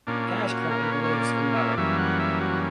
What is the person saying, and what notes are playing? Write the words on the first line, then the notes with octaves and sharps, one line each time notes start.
Cash currently lives in Mellor.
A#2 A#3 C#4 D4
E4
F#4
A#4
B4
C#5
C#5
D5
E5
D5
F#2 E3 G3 A#3 C#4 E5
F#5
E5
F#4